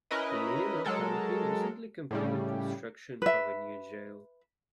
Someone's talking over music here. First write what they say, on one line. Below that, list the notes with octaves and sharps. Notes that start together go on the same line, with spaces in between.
Leelenau County recently completed construction of a new jail.
C#4 E4 A#4 B4 D#5
F#3 G#3 A4 A#4
A2 C#3 G3
B4 E5